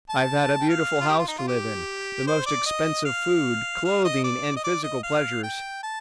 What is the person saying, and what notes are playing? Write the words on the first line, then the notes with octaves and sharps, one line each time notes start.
I have had a beautiful house to live in, the most expensive food, clothing and physical pleasures.
A5
G5
F5
F4
G4
F4
D#4
F4
G4
C5
D5
D#5
F5
F5
D#5
D5
D#5
D5
D#5
F5
G5
A5